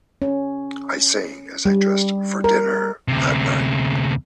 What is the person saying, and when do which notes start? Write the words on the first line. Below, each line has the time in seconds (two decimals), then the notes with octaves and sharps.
I sang as I dressed for dinner that night.
0.22 C#4
1.65 G3
2.44 A#4
3.08 D2 C3